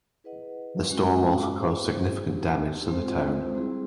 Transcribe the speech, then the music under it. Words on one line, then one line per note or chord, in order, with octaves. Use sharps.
The storm also caused significant damage to the town.
E4 G#4 B4 D#5 F#5
G#3 C#4 F#4
E4 G#4 C5
B3 D#4 G4
G#3 C4 F4 A4 C5
G3 C4 E4 G#4